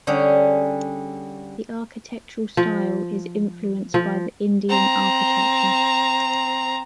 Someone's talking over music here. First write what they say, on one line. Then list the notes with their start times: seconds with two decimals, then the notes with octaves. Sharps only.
The architectural style is influenced by the Indian architecture.
0.07 D3 G3 C#4 G#4
2.57 F3
3.94 F3
4.69 C4 A#5